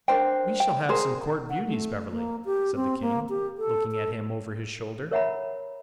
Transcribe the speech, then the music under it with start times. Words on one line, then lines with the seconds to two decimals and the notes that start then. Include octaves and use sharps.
"We shall have some court beauties, Beverley," said the king, looking at him over his shoulder.
0.08 D4 A#4 C5 G5
0.60 G5
0.89 G#4 A#4 C5
1.50 F#5
1.65 A3
2.09 A#3
2.45 G4
2.75 C4
3.01 A#3
3.29 G4
3.58 A4
3.92 A4
5.11 A#4 C#5 E5 F#5 A#5 B5